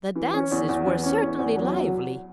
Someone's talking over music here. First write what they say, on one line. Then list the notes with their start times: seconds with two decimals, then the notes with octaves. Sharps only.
The dances were certainly lively.
0.16 E3
0.34 C#4
0.51 E2
0.69 E2
0.87 E3
1.04 C#4
1.22 E2
1.39 E2
1.56 F#3